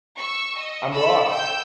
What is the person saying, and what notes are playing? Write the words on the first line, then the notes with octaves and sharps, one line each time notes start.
I am lost!
C#6 E6
D#5
A4 B5 E6
G5 E6 G6